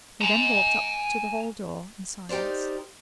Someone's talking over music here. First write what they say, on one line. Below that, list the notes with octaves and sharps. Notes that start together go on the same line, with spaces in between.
They then walked up to the hall-door in silence.
G#5 A#5
D#4 G4 A#4 C5 D5